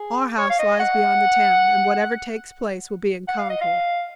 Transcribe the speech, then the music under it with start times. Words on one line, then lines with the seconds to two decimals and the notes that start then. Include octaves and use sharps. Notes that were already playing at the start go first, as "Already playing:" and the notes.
Our house lies beyond the town, and whatever takes place will be in Concord.
Already playing: G#4
0.38 C#5
0.50 F5
0.59 D#5
0.80 F#5
3.28 F#5
3.39 F5
3.50 D#5
3.61 F5